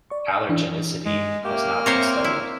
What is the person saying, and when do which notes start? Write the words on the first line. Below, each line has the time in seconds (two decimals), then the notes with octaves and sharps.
Allergenicity has not been studied.
0.10 D5 C#6
0.49 E3 D4
1.06 G2 G#3
1.45 A#3 G4 E5 C#6 D6 F6
1.86 C4 C5 C#5 A#5
2.24 E4 C6